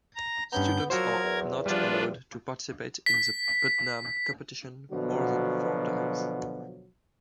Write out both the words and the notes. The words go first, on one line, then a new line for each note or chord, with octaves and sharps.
Students are not allowed to participate in the Putnam Competition more than four times.
A#5
G2 B3 C#4 A#5 G6
F3 F#3 F#4 A#4 C5 G#6
E2
F3 G3 D4 F4 B4
B6
B2 D3 F3 F#3 F#4